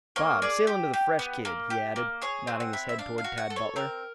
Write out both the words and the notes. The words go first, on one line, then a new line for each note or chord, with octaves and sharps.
"Bob, sail into the fresh kid," he added, nodding his head toward Tad Butler.
A#3 C#5
G#4 D5
G4
G4
B3
A#3
G4
A#3
G#4 C#5
C4
F#5
E4
E5
D4 F5
F5
F#4
F#5
A4
C#5
C4 A#4